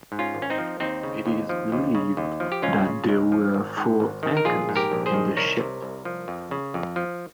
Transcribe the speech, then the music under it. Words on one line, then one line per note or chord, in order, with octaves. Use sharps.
It is believed that there were four anchors in the ship.
G#2
C#4 F4
G#1
C#4
C4 D#4
F3
D#2 C4 D#4
C#3
D#2
F3
D#2
C#3
D#2
F3
G4
C#2 C#4 F4
C#3
C#2
F3
G#1
G#2
G#1
D#3
A#4
A#1 F4 G#4
G#2
G4 A#4
A#1
G#4 C5
D#3
C2 A#4 C#5
C3
C2
F3
F2
C#3
F2
F3